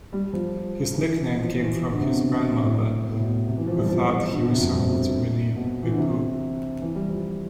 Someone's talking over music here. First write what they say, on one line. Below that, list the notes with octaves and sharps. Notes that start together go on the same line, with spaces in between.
His nickname came from his grandmother, who thought he resembled Winnie the Pooh.
G3
F3
E3
F3
E3
D3
C3
B2
A2
B2
A2
B2
C3
E3
F3
G3
F3
D3
B2
C3
F2
G2
B2
E3
D3
C3
E3
G3
F3